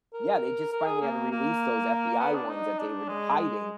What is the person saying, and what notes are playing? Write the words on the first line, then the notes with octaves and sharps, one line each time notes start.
Yeah, they just finally had to release those FBI ones- that they were d hiding-
A#4
A#4
G#4
A#3
A#3
B3
D4
D#4
D4
G#3
G#3